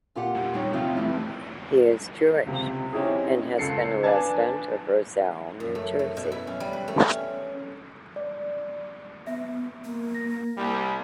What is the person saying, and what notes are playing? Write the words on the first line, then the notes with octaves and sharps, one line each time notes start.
He is Jewish and has been a resident of Roselle, New Jersey.
A#2 F4 G4 F#5
G3 D#4 C#5
C3 F3 C4 D#4 F4
E3 G3 A3 E4
C#2 C3
C4 C#4 D#4 E4 G4 G#4
C#2 A4 C7 C#7
D4 B4 F5 G#5 A5 G#6
F#2
A3
A3
B2
E4
C#4
G3
B4
A3
C#4
D5
B3 E5
A#3
A#6
C2 G3